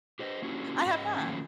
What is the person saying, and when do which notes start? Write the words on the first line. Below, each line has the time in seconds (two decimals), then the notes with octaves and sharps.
I have not.
0.19 G4 C5 D#5
0.42 A#3 C#4 D4 E4 F#4 G4
0.86 G#2 C#4 D4 D#5
1.17 D#3 F3 F#3 A3 A#3 C#4